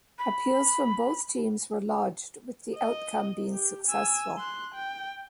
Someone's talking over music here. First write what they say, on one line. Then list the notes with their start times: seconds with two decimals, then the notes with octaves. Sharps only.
Appeals from both teams were lodged, with the outcome being successful.
0.18 B5
2.76 D#5
3.52 G4
3.88 G#5 E6
4.38 C6 F#6
4.74 G5